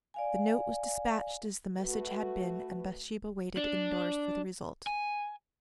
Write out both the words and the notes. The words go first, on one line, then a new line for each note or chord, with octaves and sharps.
The note was despatched as the message had been, and Bathsheba waited indoors for the result.
D5 F5 G#5
A3 F#4 B4
D4
G#5